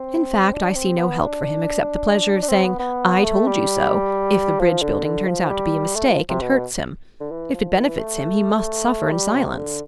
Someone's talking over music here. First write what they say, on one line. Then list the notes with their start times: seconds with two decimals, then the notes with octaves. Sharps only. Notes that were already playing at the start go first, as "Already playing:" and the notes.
In fact, I see no help for him except the pleasure of saying 'I told you so' if the bridge-building turns out to be a mistake and hurts him; if it benefits him he must suffer in silence.
Already playing: C4
0.53 D4
0.75 C4
0.98 B3
1.20 D4
2.42 D4
2.48 C4
2.64 B3
2.79 B3
3.24 A3
3.47 G3
4.60 F3
4.82 D3
5.05 D3
5.27 F3
5.50 G3
5.96 A3
6.07 F3
6.29 C3
6.41 B2
7.20 D3
7.31 E3
7.54 F3
7.77 E3
7.99 A3
9.12 G3
9.35 C3
9.57 D3